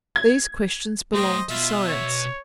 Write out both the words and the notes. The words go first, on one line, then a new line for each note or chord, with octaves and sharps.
These questions belong to Science.
G#6
A3 C5 D#5 G5
B2 F4 E5
C#5